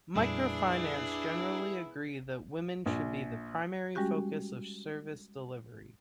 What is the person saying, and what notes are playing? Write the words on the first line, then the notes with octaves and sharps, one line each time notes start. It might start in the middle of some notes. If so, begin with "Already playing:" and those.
Microfinance generally agree that women should be the primary focus of service delivery.
F2 A#2 G3 B3 D4 E4 G#4
A#1
G3 G#3 C#4 F#4 G4